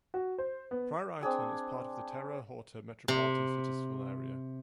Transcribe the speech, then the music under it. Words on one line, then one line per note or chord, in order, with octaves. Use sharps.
Prairieton is part of the Terre Haute Metropolitan Statistical Area.
F#4
C5
B3
C4 D4 G#4 E6
C3